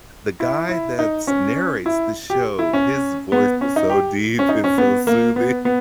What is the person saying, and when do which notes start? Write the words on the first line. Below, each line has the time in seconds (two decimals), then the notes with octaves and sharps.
the guy that's narrates the show, his voice is so deep and so soothing
0.40 E4
0.69 E4
0.99 D#4
1.27 C#4
1.86 E4
2.30 G4
2.59 E4
2.73 C#4
3.32 B3
3.61 C#4
3.76 D#4
3.90 G4
4.39 C#4
4.49 D#4
4.64 C#4
4.78 B3
5.07 A#3
5.36 B3
5.65 B3